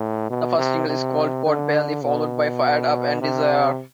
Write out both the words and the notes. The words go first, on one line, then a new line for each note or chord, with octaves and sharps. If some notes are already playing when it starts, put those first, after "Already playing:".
The first single is called "Pot Belly" followed by "Fired Up" and "Desire".
Already playing: A2
B2
C3
C3
D3
B2
C3